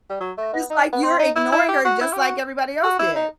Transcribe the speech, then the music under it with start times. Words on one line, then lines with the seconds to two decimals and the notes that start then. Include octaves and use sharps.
And it's like you're ignoring her just like everybody else did.
0.10 G3
0.21 F#3
0.38 A3
0.54 B3
0.70 D#4
0.93 B3
1.03 C4
1.19 D#4
1.36 E4
1.52 E4
1.69 G4
1.85 F#4
2.01 E4
2.13 G4
2.18 F#4
2.83 F#4
2.99 E4
3.16 D#4